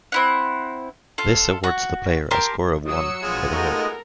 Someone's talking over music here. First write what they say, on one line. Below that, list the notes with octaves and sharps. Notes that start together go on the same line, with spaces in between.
This awards the player a score of one for the hole.
C4 E4 F#5
F4 A4
F#4
G4 A#4 A5 C6
F#3 D#6 E6 C#7
A#1 G#3 B3 F4 G#6
A3 D#4 F#4 A4 A#4